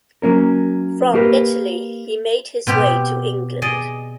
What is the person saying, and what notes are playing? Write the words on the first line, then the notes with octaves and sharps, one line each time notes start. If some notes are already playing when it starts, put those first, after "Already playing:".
From Italy he made his way to England.
F#3 A#3 C#4 A#4
A#3 G4 A#4 B4
B2 C4 G4
G#4 D5 D#5